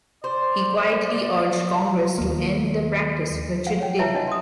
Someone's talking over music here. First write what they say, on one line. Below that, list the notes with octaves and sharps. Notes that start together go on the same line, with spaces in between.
He quietly urged Congress to end the practice, which it did.
C5 D5
D#2 A#3
F5 F#5
C#5 G5
B4 C#5 E5 A5 A#5
D4 E4 F#4 C#5 D#5 F#5
C6 D#6